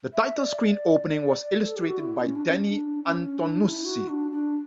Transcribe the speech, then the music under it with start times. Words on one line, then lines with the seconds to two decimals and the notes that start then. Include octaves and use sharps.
The title screen opening was illustrated by Danny Antonucci.
0.13 E5
0.37 D5
1.63 A4
1.76 G4
1.88 F#4
1.99 E4
2.22 C#4
2.35 D4
2.46 C#4
2.69 D4
3.04 C#4
3.39 D4
3.62 E4
3.85 F#4
4.08 D4
4.31 D4